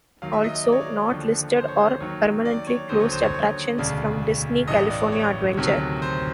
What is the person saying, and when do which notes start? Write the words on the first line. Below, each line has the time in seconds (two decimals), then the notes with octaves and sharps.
Also not listed are permanently closed attractions from Disney California Adventure.
0.22 D#2 D#3 F#3 F5
0.33 E5
0.44 D#5
0.55 D#5
0.64 D5
0.72 C#5
0.80 D5
1.11 D#2 D3 F3
1.56 C5
1.68 C#5
1.78 C5
2.00 D#2 D#3 F#3 C#5
2.45 D5
2.67 C#5
2.89 D#2 D3 F#3 C5
3.00 C#5
3.12 C5
3.23 C#5
3.34 C#5
3.78 E1 D2 C#3 D5
4.68 A1 G2 E3 D#5
4.90 D5
5.12 C#5
5.57 D2 C3 D#3 F#3
6.02 C5